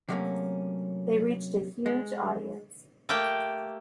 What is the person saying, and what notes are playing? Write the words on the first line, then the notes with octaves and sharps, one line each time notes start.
They reached a huge audience.
C3 F#3 G3 A3 A#3 C#4
G#3
A3 A#3 G4 G5